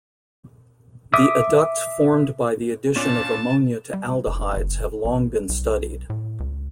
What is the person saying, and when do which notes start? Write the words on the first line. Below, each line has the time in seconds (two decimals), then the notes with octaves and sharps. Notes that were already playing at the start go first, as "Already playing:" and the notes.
The adducts formed by the addition of ammonia to aldehydes have long been studied.
1.14 E5 D6 D#6
2.96 A#2 C#4 D4 A5
3.94 G3
4.27 F1
4.56 F#1
5.05 A1
5.49 B1
6.10 A2
6.40 C#2